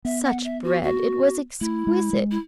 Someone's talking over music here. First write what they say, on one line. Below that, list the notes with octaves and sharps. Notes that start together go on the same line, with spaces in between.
Such bread, it was exquisite!
B3 E5
F#5
E5
F#4
F#4
A3 E4
G#3
G#3
E4